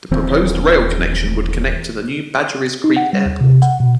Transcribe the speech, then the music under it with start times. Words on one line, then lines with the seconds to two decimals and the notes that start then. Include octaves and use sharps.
The proposed rail connection would connect to the new Badgerys Creek Airport.
0.11 D#1 E3 C4
2.84 D#4
2.97 F#5
3.13 G3
3.26 D#2
3.41 C3
3.62 F#5
3.80 B2